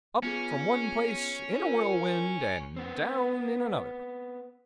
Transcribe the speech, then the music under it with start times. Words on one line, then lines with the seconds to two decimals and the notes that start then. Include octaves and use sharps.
Up from one place, in a whirlwind, and down in another.
0.23 B3 C#4 F4 G#4
1.60 F4 A#4
2.76 B3 C4